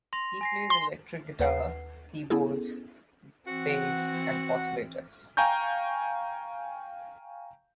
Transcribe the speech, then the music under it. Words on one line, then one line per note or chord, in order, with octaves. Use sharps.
He plays electric guitar, keyboards, bass and oscillators.
C6 A#6 F7
G#5 A#6 C7
C6
D#2 B4 F#5 C7
B3 C#4 E4 G#4 A4
E3 C4 F#4 F#5
F5 G5 G#5 A#5 C#6 G6